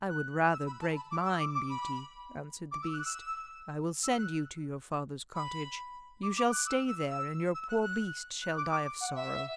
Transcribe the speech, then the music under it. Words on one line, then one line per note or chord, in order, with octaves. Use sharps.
"I would rather break mine, Beauty," answered the beast; "I will send you to your father's cottage: you shall stay there, and your poor beast shall die of sorrow."
F#6
E6
B5
A5
B5
D6
E6
D6
D6
B5
D6
E6
F#6
E6
E6
F#6
B5
D6
D6
F#6
E6
E6
E6
E6
F#6
F#6
F#6
D6
D6
F#5
E5